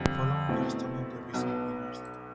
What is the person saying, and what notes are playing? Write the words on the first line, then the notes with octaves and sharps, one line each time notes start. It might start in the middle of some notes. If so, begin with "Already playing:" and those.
The following are some of the recent winners.
Already playing: F2 D3 G3
B2 A3 C4 E4
B1 B2 B3